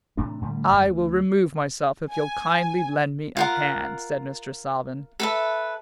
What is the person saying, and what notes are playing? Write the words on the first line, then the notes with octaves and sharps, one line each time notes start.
"I will remove myself if you'll kindly lend me a hand," said Mr. Salvin.
A2 C3 E3 D4
A2 D3 G3 A3
F#2 D#3 G#3
D2
G#5
F4 A#4 F#5
A4 B4 E5